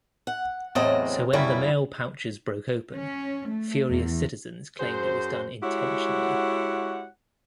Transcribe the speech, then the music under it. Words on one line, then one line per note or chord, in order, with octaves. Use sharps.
So when the mail pouches broke open, furious citizens claimed it was done intentionally.
F#5
E2 A2 F#3 C4 D#5
F#2 C#3 G3 E4
C#4
A3
E2
F#2 F#4 G#4 C5
G#3 E4 F#4 G4 C#5 F#5